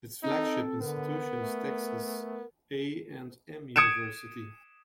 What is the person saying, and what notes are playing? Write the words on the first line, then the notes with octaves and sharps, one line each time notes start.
Its flagship institution is Texas A and M University.
C4 D#4 A4
D3 B3 A#4
A3
D#6 G#6 C#7 D7 E7